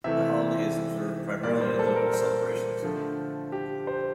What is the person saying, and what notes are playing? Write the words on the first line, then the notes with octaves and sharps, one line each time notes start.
The holiday is observed primarily in local celebrations.
C3 E3 A3 E5
A#2 G3 A#3 D5
C5
A4
A#4
C5
D3 F3 A3
G4
C5